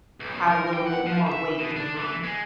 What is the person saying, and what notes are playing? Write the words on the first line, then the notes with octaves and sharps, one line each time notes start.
have a little bit more weight in the room.
B1
F#2
A#4
G5
F#5
F3
E5
B2
D4
E3
G#3